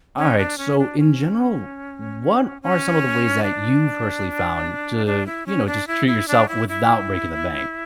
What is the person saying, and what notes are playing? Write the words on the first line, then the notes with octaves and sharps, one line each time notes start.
Alright, so in general, what are some of the ways that you've personally found to, you know, just treat yourself without breaking the bank?
C#4
D4
C#4
D4
C#4
C#4
D4
D4
E4
C#4
D4
E4
E4
D4
E4
E4